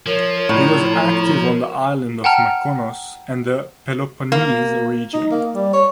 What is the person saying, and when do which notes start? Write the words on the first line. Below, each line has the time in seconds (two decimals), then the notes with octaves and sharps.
He was active on the island of Mykonos and the Peloponnese Region.
0.06 F3 A#4 C#5
0.49 A2 A#5
1.44 A#4
2.24 F#5 G5 A5 A#5 F6
4.32 A#3
5.14 D#4
5.31 A#3
5.55 G3
5.73 C#5